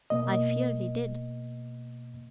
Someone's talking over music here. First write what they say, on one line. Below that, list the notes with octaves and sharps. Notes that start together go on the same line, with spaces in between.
I fear he did.
B2 A#3 D#5